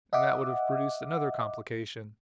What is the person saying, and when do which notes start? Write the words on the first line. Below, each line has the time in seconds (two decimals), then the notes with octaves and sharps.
And that would have produced another complication.
0.13 D#5 E5 F#5 D6